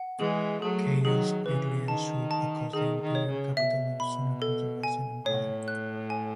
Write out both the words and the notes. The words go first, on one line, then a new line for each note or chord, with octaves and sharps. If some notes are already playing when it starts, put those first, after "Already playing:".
Chaos quickly ensued across the Imperial capital and soon across the Russian Empire.
Already playing: F#5
E3 G#3 G#4
F#3 A3 G#4
D#3 F#3 G#4
C#3 E3 B4
D#3 A5
A5
D#3 G#4
D#3
C#5
C#3
B2 E5
B5
A4
G#5
A2 C#5
F#6
G#5